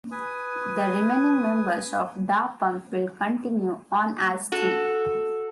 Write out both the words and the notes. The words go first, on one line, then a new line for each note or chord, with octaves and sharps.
The remaining members of Da Pump will continue on as three.
B4 G#5 D#6
F#4 A4